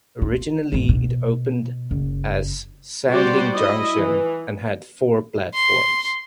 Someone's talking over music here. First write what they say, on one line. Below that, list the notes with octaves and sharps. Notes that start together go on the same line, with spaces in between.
Originally it opened as Sandling Junction and had four platforms.
F4
A1 F2
B2
F#1
G3 F#4 G4 C5 D5
E4 D#5
E3
C6